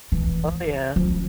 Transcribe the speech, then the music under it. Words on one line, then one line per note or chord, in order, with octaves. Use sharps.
Oh, yeah.
E3
F3